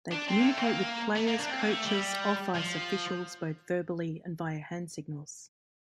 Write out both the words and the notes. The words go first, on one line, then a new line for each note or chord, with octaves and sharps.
They communicate with players, coaches, off-ice officials, both verbally and via hand signals.
D4
C4
A#3
A3
C4
A#3
A3
A#3
D4
C4
A#3
A3
G3
F3